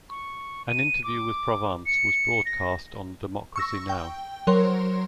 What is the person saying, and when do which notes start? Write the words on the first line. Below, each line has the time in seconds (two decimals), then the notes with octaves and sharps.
An interview with Provance was broadcast on the Democracy Now!
0.10 C#6
0.68 D#7
1.04 D6
1.86 C#7
2.46 A#6
3.56 C#6 E6 A#6
3.89 G5
4.47 F#3 A#4 C5 C#5 C6